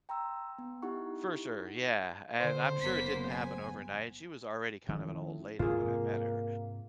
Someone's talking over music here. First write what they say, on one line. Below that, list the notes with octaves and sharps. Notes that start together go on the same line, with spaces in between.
For sure, yeah, and I'm sure it didn't happen overnight, she was already kind of an old lady when I met her,
G5 A#5 C6 E6
B3
D#4 E4 G4 F#5 C#6
D3 C5
F#1 A#3 B3 B6
G#5
A2 D#3 F3 C#4
G#2 C3 A#3 F4 G#4